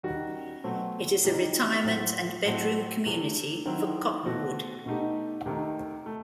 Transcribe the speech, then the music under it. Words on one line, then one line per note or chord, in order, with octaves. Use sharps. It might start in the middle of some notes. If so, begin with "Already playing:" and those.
It is a retirement and bedroom community for Cottonwood.
D#3 G3 D#4 F#4
B2 F#3 A3 C4
C3 E3 G3 D#4 G4
A2 F#3 C4
A2 F#3 A3 C4 F#4
C3 E3 A3
D#3 F#3 C4 E4
B2 A3 C4 F#4
B2 A3 D#4 G4
C3 D#3 A3 D#4
A3